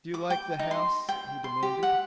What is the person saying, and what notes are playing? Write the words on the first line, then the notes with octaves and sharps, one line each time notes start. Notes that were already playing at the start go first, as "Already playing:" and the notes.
"Do you like the house?" he demanded.
D6
G5
D#4
C6
G5
C6
G4
F#5